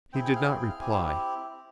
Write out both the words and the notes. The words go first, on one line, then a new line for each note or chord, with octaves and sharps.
He did not reply.
C4 E4 G#4 G5
G5
F5
G5
G5
F5
C4 E4 G4 G#5